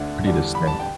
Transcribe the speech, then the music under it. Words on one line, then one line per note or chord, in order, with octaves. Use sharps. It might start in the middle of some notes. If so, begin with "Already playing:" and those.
pretty distinct,
Already playing: D2 D3 A3 D4
E2 D3 G3 D4
B5
A5
G5